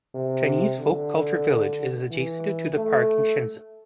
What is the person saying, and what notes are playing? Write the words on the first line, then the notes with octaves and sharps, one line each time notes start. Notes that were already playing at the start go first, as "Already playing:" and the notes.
Chinese Folk Culture Village is adjacent to the park in Shenzhen.
C3
D3
E3
A3